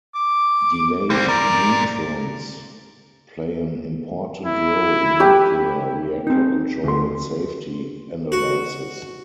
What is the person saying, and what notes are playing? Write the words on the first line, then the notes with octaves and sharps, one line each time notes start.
Delayed neutrons play an important role in nuclear reactor control and safety analysis.
D6
G3 C4
G#2 A#4 D5
E4
G4 B4 G5
C4 D#4
D2 C6
F#4